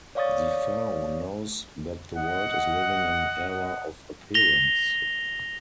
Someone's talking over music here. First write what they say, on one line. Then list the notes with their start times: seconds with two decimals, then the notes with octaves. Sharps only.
Defao knows that the world is living an era of appearance.
0.15 C#5 D5 F5 C#6 D#6 A6
2.16 D#5 F#5
4.34 A#6 F7 G7